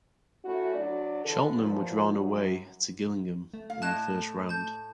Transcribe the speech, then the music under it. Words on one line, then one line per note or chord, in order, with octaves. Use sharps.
Cheltenham were drawn away to Gillingham in the first round.
A3 C#4 E4 F#4
F#3 D4 D5
D3 E3 A4
E2 A#2 F3
F#2 F#3
A3
F5
A2 D#5 A5 F#6 E7
A5 G6